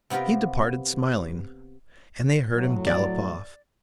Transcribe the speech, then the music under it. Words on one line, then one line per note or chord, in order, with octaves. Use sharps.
He departed smiling, and they heard him gallop off.
C3 B3 F4 G4 A#4
A2 F#3
D5